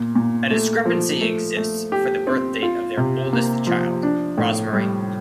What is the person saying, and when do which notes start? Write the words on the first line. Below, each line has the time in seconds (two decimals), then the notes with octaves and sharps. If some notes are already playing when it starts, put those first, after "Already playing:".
A discrepancy exists for the birth date of their oldest child, Rosmarie.
Already playing: A#2
0.15 A#2
0.51 A3
0.86 F3
1.21 A3
1.57 A3
1.92 G4
2.27 C4
2.63 F4
2.97 C3
3.33 A#3
3.67 F3
4.03 D4
4.38 A2
4.73 G3